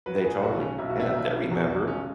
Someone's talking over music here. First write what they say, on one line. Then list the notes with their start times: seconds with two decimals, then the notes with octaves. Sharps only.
They totally Yeah, they remember.
0.06 F#3 B4
0.24 G#4
0.42 B1 F#4
0.60 C#4
0.79 B1 E4
0.90 F#4
1.00 E4
1.15 B1
1.51 E2 F#4
1.69 F#4
1.87 G#3 C#4